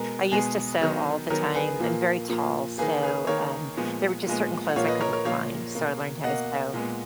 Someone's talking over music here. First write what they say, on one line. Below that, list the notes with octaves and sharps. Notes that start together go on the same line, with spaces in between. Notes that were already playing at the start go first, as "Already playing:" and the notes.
I used to sew all the time. I'm very tall, so, um, there were just certain clothes I couldn't find, so I learned how to sew.
Already playing: B2 G#3 B3 A#4
B2 G#3 B3 G#4
D#3 F#3 B3
D#3 F#3 B3 A#4
G#4 B4
A#2 F3 A#3
A#2 F3 A#3
D#3 A#3 G#4 B4
G#4 B4
D#3 A#3 A#4 C#5
A#2 F3 G#3 B3
A#2 F3 G#3 B3
F#5
A#2 F3 A#3 C#5 F5
B4 D#5
A#4 C#5
A#4 C#5
A#2 F3 A#3 C#5 F5
B2 A#3
B2 A#3 D#5 F#5
A#2 G#3 B3